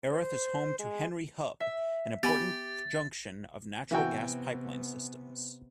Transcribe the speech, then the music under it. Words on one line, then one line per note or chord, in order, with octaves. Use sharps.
Erath is home to Henry Hub, an important junction of natural gas pipeline systems.
C5
G#3
E5
B3 G4 G#5 B5 A6
C3 E3 B3 F#4 G5